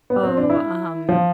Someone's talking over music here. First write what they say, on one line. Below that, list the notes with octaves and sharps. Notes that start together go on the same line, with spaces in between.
"Oh, um"
B3
C4
D4
E4
F3